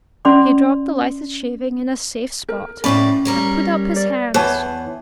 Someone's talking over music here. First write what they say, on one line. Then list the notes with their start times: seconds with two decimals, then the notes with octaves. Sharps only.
He dropped the lighted shaving in a safe spot and put up his hands.
0.25 C#4 D5 C6 D6
2.49 A#4
2.84 F2 A2 C#4 D5 B5
3.25 G3 A#4 C#5
3.96 D5
4.34 E2 B4 C#5 A5